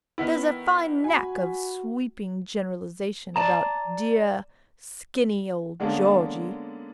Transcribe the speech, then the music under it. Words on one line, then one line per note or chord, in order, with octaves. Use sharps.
There's a fine knack of sweeping generalisation about deah skinny old Georgey.
D#3 B3 E4
F#4 G#5 B5
D5 A5 A#5
D3 G#3 A#3 B3 C#4 D4